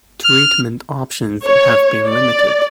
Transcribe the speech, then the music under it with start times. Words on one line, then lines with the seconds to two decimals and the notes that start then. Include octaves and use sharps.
Treatment options have been limited.
0.23 F6
1.45 C#5
2.07 D5